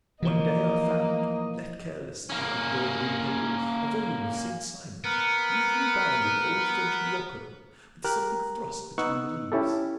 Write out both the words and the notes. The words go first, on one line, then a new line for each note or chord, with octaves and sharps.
One day I found, left carelessly on the drawing-room table, a volume of Saint-Simon, beautifully bound in old French morocco, with something thrust between the leaves.
E3 F3 A#3 D#5
A#3 C#4
B3 A#4 B4
G4 A#4 A#5 F#6
B3 D#4 C#6 E6 F#6
C#4 E4 G4 A4